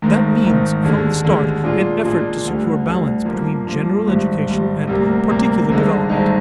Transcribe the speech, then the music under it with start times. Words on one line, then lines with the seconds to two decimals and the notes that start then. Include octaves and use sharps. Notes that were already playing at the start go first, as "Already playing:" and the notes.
That means from the start an effort to secure balance between general education and particular development.
0.02 G#1 G#2 D#3
0.42 G#1 G#2 D#3
0.83 D#2 D3 G#3
1.24 D#2 D3 G#3
1.64 A#2 G#3 D4 F4 G#4
2.04 A#2 G#3 D4 F4 G#4
2.45 D2 D3 G3
2.86 D2 D3 G3
3.25 G2 F3 A#3
3.67 G2 F3 A#3
4.07 G#1 G#2 G3
4.47 G#1 G#2 G3
4.87 D2 C3 G3 A#3
5.28 D2 C3 G3 A#3
5.69 G#1 G2 D3 G#3 D#4
6.09 G#1 G2 D3 G#3 D#4